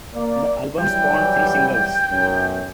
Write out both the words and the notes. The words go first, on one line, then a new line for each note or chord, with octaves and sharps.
The album spawned three singles.
A#3 D5
E3 F#3 G3 G5
B1 F#2